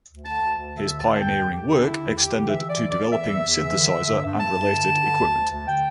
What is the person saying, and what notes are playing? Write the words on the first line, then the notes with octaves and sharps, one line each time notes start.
His pioneering work extended to developing synthesizer and related equipment.
D2
D3 A5
D2
D2
D3
E5
D2
A5
D3
A5
E2 G5
E2
D3 G4
D3
D4
D3 E4
E2
D3 G4
D3
E3 E5
E3
D5
E2
D5
E2
E3 E5
E2
E2
E3
D3
D3
G2
G2
G2 A5
G2
D3
G2
D3
D2
D2
D2
D3 G5